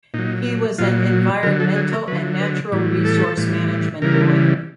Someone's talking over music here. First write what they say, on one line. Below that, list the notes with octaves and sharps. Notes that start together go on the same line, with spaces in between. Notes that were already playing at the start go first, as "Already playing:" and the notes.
He was an environmental and natural resource management lawyer.
A#2 F#3 D#4
A#2 F#3 F4
D3 F#3 A#4
A4
G#4
A#4
D3 F#3 B4
B4
A2 E3 G3
A4
A2 E3 G3
C#3 E3 G3 A#4